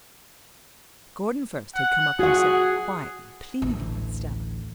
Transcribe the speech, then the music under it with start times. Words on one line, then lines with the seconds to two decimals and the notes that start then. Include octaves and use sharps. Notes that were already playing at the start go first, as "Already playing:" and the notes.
Gordon first had come up himself, quietly, pleading with Stella.
1.75 F#5
2.19 F#4 G#4 F#5
3.62 A1 D2